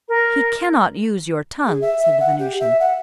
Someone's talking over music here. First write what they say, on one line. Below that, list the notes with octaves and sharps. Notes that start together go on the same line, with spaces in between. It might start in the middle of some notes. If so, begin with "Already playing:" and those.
"He cannot use your tongue," said the Venusian.
A#4
G#4
E5
E5
F#5
G4
E5
F#5